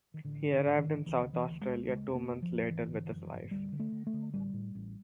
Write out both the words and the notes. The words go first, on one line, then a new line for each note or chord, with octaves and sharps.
He arrived in South Australia two months later with his wife.
D#3
A1 D3
G#2
D3
G#2
D#3
G#2
D2 E3
C#3
E3
D2
G#3
D2
C#3 G#3
F1
A#3
F1
F3
F1
G#1 E3
D3
F#2
G#1
D2 G3
D3
A3
D3
A3
D3
A1 G3
A2
A1